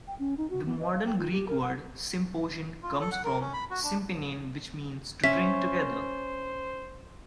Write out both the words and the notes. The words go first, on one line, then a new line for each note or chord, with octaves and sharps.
The modern Greek word "symposion" comes from "sympinein", which means "to drink together".
G5
C#4
D#4
F#4
B3
D#5
F5
G5
F4
G4
A#4
F#5
F4
A4
F#5
A#4
C#4
B5
F#4
D4
C#4 C5 E5 B6